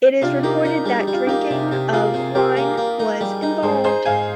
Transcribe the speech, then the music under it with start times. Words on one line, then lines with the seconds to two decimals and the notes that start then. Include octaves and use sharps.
It is reported that drinking of wine was involved.
0.22 C3 D4 F4
0.43 A#3 D#4 G4
0.64 D4 D#4 F4
0.85 G3 G#4
1.00 G4
1.07 G3
1.13 F4
1.27 A#3 D#4 G4
1.50 C3
1.72 C3
1.93 A#3 F4 G#4
2.14 C3
2.35 G3 G4 A#4
2.57 A#3
2.78 A#3
2.99 D#4
3.21 G3
3.42 D#4
3.63 G#2 G#4 C5
3.84 D#4 G#4 C5
4.05 G#2 F5 G#5